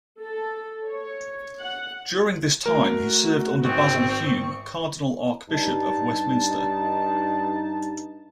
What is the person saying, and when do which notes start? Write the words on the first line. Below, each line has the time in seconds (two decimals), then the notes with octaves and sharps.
During this time he served under Basil Hume, Cardinal Archbishop of Westminster.
0.19 A4
0.85 C#5
1.61 F#5
2.66 A3 F#4 A#4
3.64 G#1 C4 C#6
5.49 G2 D#4 A5